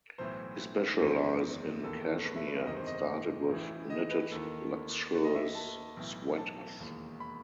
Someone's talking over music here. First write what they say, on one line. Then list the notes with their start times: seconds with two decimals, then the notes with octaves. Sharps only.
He specialise in cashmere and started with knitted luxurious sweaters.
0.18 B1 A2 E3 C5
1.01 F#1 E2 D#3 C5
1.84 E1 D#2 D#3 A4
2.25 B4
2.36 E5
2.46 B4
2.56 D#5
2.66 F#1 E2 C3 D#3 D#5
2.77 C5
2.87 D#5
3.49 A1 A2 E3
3.90 D#5
4.11 B4
4.31 D#2 D#3 A4
5.14 D#2 D#3 B4
5.24 D#5
5.35 E5
5.55 A5
5.97 B1 A2 E3
6.38 A5
6.79 E1 D#2 D#3
7.20 B5